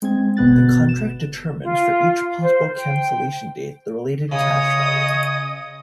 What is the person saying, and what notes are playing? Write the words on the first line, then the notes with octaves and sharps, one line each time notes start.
The contract determines for each possible cancellation date the related cash value.
G#3 C4 G#6
G1 B2 B3 F#6 A6
E7
F4
C5
G5
C#3 C#5 D#5 D#6